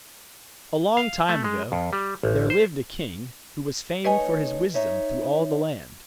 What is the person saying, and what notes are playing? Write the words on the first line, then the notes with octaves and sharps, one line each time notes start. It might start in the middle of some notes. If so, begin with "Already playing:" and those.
A long time ago there lived a king who was famed for his wisdom through all the land.
F5
A3
G#3
F2
G3
A1
C5
A3 D#4 B4 C#5 D#5 G#5
D#4 C#5 E5